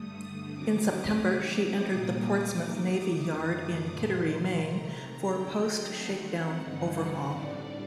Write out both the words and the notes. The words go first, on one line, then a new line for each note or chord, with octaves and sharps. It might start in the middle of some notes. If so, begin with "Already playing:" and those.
In September, she entered the Portsmouth Navy Yard in Kittery, Maine, for post-shakedown overhaul.
Already playing: G2 D3 A3 D#6
D#3 F#3 C4 D6
D#6
C3 F#3 C4 D#4 D6
D#6
A#2 G3 A#3
D6
D#3 A3 D#4 D6
D#6
F#2 D3 A3
D6
A#2 F#3 A3 C6
C3 D#3 A3 A#5
A#5
D3 F#3 A3 G5
D#5
D#3 A3 C4 F#5
G2 D3 G3 C4 D#4 F#5
A2 G3 D4 D5